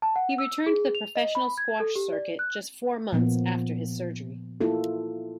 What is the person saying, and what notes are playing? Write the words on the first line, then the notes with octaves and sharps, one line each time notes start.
He returned to the professional squash circuit just four months after his surgery.
A5
F#5
E6
G#4
F7
D#5
B5
G#6
A4
G4
D5
F#6
A#2 F3 A#3 B3
A#3 E4 F4 A4